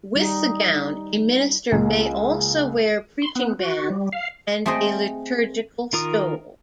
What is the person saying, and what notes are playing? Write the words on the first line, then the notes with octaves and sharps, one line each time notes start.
With the gown a minister may also wear preaching bands and a liturgical stole.
G3 D#4
C#2 G#3 A#3
C6
B3
F#4
G3
F5
A3 C4 G#4 C5 D#5 G5
D#3 F4 A#4 A#5 D#6